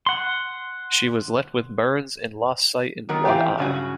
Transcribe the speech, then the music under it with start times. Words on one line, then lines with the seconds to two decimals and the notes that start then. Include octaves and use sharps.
She was left with burns and lost sight in one eye.
0.06 F#5 C6
3.09 D#3 F#3 B3 A#4
3.25 E3 C4 E4 F4 G4
3.58 G2 C#3 F#3 C#4 F#4